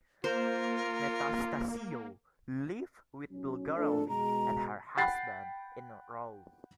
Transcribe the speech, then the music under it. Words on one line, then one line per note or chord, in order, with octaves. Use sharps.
Metastasio lived with Bulgarelli and her husband in Rome.
A#3 F4 A#4 C5
B1 F#3 C#4
F2 A3 D4 A4
B2 G#3 A#5
F#5 G5 B5 A6 C7